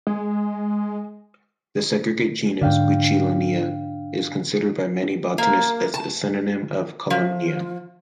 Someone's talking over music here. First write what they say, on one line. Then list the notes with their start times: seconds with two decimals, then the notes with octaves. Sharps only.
The segregate genus "Bucinellina" is considered by many botanists a synonym of "Columnea".
0.07 G#3
2.61 G#2 D3 D4 F5 G5
5.38 A#3
5.94 A5
7.10 F3